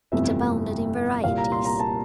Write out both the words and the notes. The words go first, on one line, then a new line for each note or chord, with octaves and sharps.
It abounded in varieties.
G1 F2 C3 E3 A3 E5
C2 A#2 G3 F5
A#5
C6
A#5
A5